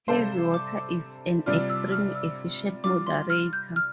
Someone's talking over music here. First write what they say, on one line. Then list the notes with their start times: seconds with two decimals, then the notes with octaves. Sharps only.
Heavy Water is an extremely efficient moderator.
0.08 C3 G3 D4 A4 C5 F5
0.32 A#5
0.54 D6
0.77 D6
1.46 C3 G3 D4 F4 F6
1.70 E6
1.92 F6
2.15 E6
2.84 G3 D4 F4 D6
3.07 C6
3.30 F6
3.53 G6
3.76 F6